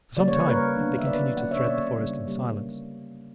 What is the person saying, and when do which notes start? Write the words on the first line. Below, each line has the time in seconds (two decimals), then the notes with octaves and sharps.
For some time they continued to thread the forest in silence.
0.17 C#3 G3 A#3 D5
0.28 C#5
0.39 B4
0.47 C#3 G3 A#3 A#4 C#5
0.76 D3 F#3 B3 D4
0.98 E5
1.06 D3 F#3 B3 D4 B4 D5
1.36 D3 F#3 A#3 C#4 D5 F#5
1.51 C#5 E5
1.61 D5
1.66 D3 F#3 A#3 C#4 C#5 E5
1.97 C#3 G3 A#3
2.27 C#3 G3 A#3